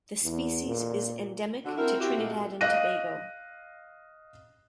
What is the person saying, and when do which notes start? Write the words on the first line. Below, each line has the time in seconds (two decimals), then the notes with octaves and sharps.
The species is endemic to Trinidad and Tobago.
0.22 E2
0.66 A#2
1.66 D3 F#4
1.78 C4 E4 A#4
1.99 C4 E4 F#4 G4
2.17 A#2 G#3 A3
2.61 D#5 F5 F#6 A#6 D#7